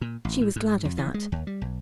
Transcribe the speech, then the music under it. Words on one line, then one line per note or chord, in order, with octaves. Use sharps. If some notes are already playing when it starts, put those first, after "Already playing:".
She was glad of that.
A#2
A1
A2
G#2
F2
E3
G#3
D#2
G3
B1